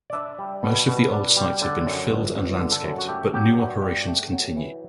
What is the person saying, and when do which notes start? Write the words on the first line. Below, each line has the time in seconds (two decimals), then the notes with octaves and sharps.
Most of the old sites have been filled and landscaped, but new operations continue.
0.10 D5
0.13 D4 E5
0.39 G3
0.63 B2
0.88 B2
1.11 D4
1.37 G3
1.61 D3 D5
1.86 F#2
2.10 G1
2.35 G1
2.59 D3
2.72 A4
2.84 F#2
2.98 F#4
3.08 A3 G4
3.33 F#3 G4
3.58 G2 F#4
3.82 G2 G4
4.07 A3
4.32 F#3
4.56 E3